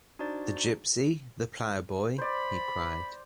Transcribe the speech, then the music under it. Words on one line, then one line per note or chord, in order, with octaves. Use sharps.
'The gipsy — the ploughboy?’ he cried.
D4 D#4 F#4 C5 D5 A6
C5 D5 B5